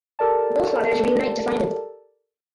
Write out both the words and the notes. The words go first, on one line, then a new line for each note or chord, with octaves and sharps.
Both fathers reunite to find him.
G4 A4 A#4 D5 A5